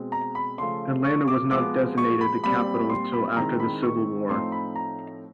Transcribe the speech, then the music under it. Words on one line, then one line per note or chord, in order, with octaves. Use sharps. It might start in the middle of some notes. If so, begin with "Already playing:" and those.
Atlanta was not designated the capital until after the Civil War.
Already playing: B2 G#3 C4
A#5
B5
C#3 F3 A3 C6
C#6
D6
F3 G#3 B3 D6
C#6
B5
A#2 G3 C4 B5
C6
B5
D#3 G#3 C4 E4 A#5
B5
C#6
A2 F3 A3 C4 D#4 C6
B5
A#5